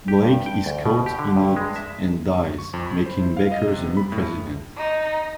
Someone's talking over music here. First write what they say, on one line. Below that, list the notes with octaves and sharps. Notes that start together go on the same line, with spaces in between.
Blake is caught in it and dies, making Becker the new President.
G4
G2
G5
D2
B2
G4
D3
G2
G#3
E5
C#6
F2
B5
C5
E4
F5
D#5
C3
B3
B5
A2
D#4